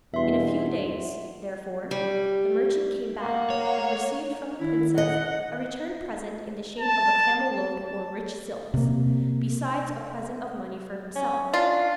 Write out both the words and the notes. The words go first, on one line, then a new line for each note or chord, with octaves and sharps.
In a few days, therefore, the merchant came back, and received from the princess a return present in the shape of a camel-load or rich silks, besides a present of money for himself.
E2 G2 B2 E5 C6
G3
A#3 F#5
C#5
D#3 E4
D#5 F#5
A5
C3 A#3
C#4
D4 F4